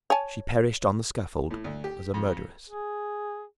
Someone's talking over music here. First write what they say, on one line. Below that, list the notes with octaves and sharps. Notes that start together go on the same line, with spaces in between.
She perished on the scaffold as a murderess!
C#5 G#5 A5
A2
D2
G4
F2
G#4